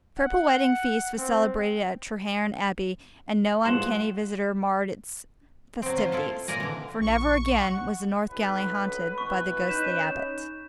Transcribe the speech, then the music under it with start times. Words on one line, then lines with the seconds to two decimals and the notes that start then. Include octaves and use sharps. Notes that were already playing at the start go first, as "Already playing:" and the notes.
The triple wedding feast was celebrated at Treherne Abbey, and no uncanny visitor marred its festivities, for never again was the north gallery haunted by the ghostly Abbot.
0.19 F#5
1.17 C4
3.65 G2 F3 G#3 F5 F#5 C6 E7
5.82 F#3 C4
5.98 F4 C5
6.12 E4 F4 A4
6.48 A#2 A#4 D5 G#5 A#5
6.60 D3 E3
7.01 A#1 C#6
7.57 F#5
8.30 B1 B4
9.18 B2 E3 B4 C#6
9.69 C#4 D#4 G6 E7